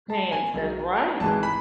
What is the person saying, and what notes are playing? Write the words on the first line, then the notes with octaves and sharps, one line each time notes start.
Hands, that's right.
A5
G#5
B1 B2 G#3
G#1 G#2 E3 G#3 A5
B5